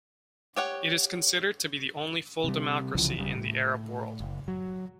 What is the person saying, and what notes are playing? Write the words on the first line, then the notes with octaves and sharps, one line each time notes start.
It is considered to be the only full democracy in the Arab World.
G4 C#5 F#5
C3 G3
C2 C#3 E3 F3
D#1 C#3 G3
A2
F#1
F#3